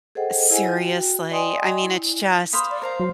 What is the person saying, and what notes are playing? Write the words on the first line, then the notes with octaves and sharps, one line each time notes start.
Seriously. I mean, it's just
G#4 A4 C5 D#5 F#5 G5
E4 G#4 C5 D#5 F#5 G#5
F#4 G5
D5 D#5 G5 G#5 C6 D#6
E4
C5 F5 B5 D#6
D5
A#4 C5 F5 A#5
F#3